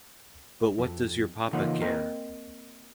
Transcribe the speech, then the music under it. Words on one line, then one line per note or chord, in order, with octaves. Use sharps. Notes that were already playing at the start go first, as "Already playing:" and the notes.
But what does your papa care!
F2
C#3 E3 F3 A#3 D#4 F#5
A#3 C4 A#4 D#5 G5